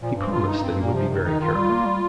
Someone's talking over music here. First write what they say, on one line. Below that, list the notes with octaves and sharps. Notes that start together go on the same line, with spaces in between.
He promised that he would be very careful.
A#2 F3
G2 C4
F4
D#4
C4
A#3
A#2
C3 F3
D#3
C3
D#3 D#4
D#3 F4
G3
A#3
G3